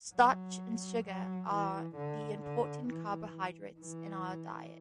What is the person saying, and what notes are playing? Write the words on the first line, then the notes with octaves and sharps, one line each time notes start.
Starch and sugar are the important carbohydrates in our diet.
F#3
F#3
E3
D3
D3
E3
E3